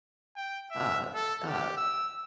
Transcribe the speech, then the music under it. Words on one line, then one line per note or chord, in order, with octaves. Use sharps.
uh uh
G5
E5
A4
G4
E6